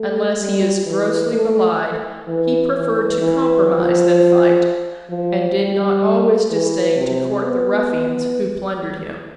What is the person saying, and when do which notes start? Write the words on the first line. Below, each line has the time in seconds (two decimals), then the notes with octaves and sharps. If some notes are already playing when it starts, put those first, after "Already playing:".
Unless he is grossly belied, he preferred to compromise than fight, and did not always disdain to court the ruffians who plundered him.
Already playing: A3
0.39 G3
0.87 E3
1.33 A3
2.28 E3
2.74 E3
3.22 E3
3.68 F3
5.10 F3
5.56 G3
6.51 E3
6.97 C3
7.44 B3